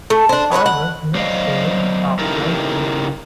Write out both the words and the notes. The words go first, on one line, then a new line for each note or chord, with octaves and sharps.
However, the next single, Are 'Friends' Electric?
A3
D4 C5
B4 C#5 D#5 F#5
F#5
F#3 C5 D5 D#5 F5
C#3 D#4 E4 G4 A4 A#4